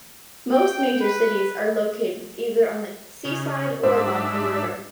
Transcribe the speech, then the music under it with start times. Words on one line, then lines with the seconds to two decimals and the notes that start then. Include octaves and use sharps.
Most major cities are located either on the seaside, or along a river.
0.51 G5
0.98 B4
3.25 C#3
3.83 G#2 D4 C5 E5